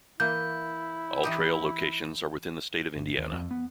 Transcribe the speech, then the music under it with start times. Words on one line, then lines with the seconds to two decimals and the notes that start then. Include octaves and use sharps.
All trail locations are within the state of Indiana.
0.20 E3 A#3 E4 G6
1.23 E3 D#4 G4
2.96 G1
3.18 D#2
3.32 F2
3.51 B3